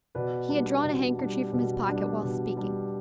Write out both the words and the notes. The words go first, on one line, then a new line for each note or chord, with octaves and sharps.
He had drawn a handkerchief from his pocket while speaking.
B2 B4 D5
G3 D4
B2
G3 D4
B2
G3 D4
B2
G3 D4